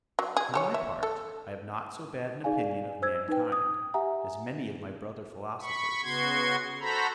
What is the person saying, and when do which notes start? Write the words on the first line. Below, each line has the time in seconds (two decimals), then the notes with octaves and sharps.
For my part, I have not so bad an opinion of mankind as many of my brother philosophers.
0.19 F#3
0.37 G#4
0.54 G4 A4 C#5
0.74 E5
1.03 A4
2.44 D#4 G#4 D5 F5 G#5
3.02 C5 E6 G#6
3.28 D#4 B4 G5
3.52 D#6
3.94 G4 E5 F#5 G#5 A#5
5.63 B5 C#6
6.03 C#3 B3 F#4 C6 G#6
6.80 F#4 A4 C5 A#5 B5